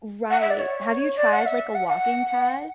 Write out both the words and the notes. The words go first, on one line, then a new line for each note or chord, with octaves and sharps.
Right. Have you tried, like, a walking pad
F#5
E5
D5
C#5
D5
F#5
E5
F#5
F#5